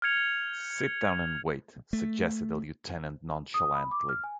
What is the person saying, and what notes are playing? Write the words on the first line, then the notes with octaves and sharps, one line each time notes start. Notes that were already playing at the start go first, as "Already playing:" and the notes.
"Sit down and wait," suggested the lieutenant nonchalantly.
F6 G6 G#6 C#7 F7
A3
D#6
B5
D6
F6
G#5